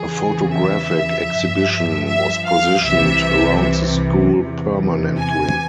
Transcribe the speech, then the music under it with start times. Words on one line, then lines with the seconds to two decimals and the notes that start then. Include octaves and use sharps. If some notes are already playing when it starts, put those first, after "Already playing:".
A photographic exhibition was positioned around the school permanently.
Already playing: E2 C#3 E3 G#4
0.53 E5
1.31 G2 F3
2.08 E5
2.47 F5
2.85 C2 C3 E3 E5
4.40 E2 C3 E3
5.18 G#5